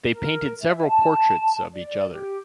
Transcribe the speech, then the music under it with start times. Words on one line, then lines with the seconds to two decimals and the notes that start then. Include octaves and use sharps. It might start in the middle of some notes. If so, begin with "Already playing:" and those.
They painted several portraits of each other.
0.10 A#4
0.62 E5
0.88 A5
1.74 D5
2.10 G4